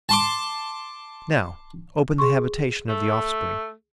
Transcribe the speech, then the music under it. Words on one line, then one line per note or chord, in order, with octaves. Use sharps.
Now open the habitation of the offspring.
A5 C6 D6
G#4 C6 C#6
A3